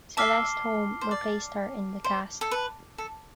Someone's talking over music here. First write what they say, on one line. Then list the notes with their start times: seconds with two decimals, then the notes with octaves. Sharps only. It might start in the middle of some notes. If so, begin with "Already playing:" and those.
Celeste Holm replaced her in the cast.
0.17 E5 A5 D6 F6 C7 G7
1.01 C5
1.11 D5
2.04 C5
2.41 A4
2.51 B4
2.98 A4